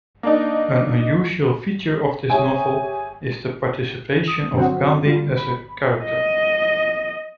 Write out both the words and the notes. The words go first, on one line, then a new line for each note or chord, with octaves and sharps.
An unusual feature of this novel is the participation of Gandhi as a character.
A#3 D4 D#4
G4 G#4 C#5 E5 G#5
D#6
G2 D3 F#3 C4 F#4
D3 G3 F4
B5
D#5